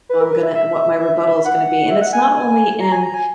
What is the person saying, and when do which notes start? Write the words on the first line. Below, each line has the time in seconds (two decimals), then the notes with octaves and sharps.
I'm gonna what my rebuttal is gonna be, and it's not only in,
0.09 B4
0.20 A#4
0.33 B4
0.43 E5
0.55 E5
1.45 F#5
1.90 E5
2.01 F#5
2.13 G#5
2.24 G#5
2.80 A#5
2.92 G#5
3.03 A#5
3.14 G#5